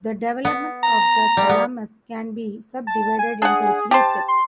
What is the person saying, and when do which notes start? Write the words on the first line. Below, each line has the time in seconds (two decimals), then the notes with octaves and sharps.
The development of the thalamus can be subdivided into three steps.
0.45 B3
0.83 A#5
1.37 G3
1.49 B3
2.87 A5
3.19 G#5
3.42 D4 G#4 F#5
3.91 G4 C5 A5
4.28 C6